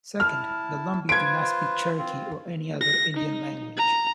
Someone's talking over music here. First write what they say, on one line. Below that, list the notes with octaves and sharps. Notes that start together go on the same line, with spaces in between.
Second, the Lumbee do not speak Cherokee or any other Indian language.
E4 A5 F6
F4 B4 C5 G#6 D7
C4 F4
A#6
D#4
A#5